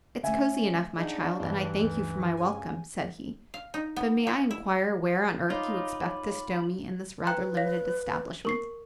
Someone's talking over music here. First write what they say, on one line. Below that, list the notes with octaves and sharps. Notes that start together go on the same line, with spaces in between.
"It's cozy enough, my child; and I thank you for my welcome," said he. "But may I enquire where on earth you expect to stow me in this rather limited establishment?"
D3 A3 C#4 E5 G#5
D4 D#4 G#4 D#5 F#5
G2 E3 C4 D#4
D2 D#3
C#3 G#5
F5
D#4
B3
A#3
E4
D#4 F4 C#5 B5 D6
B4 G5 A#5 F#6
C#5 F5 A#6
A#4 C#6 C7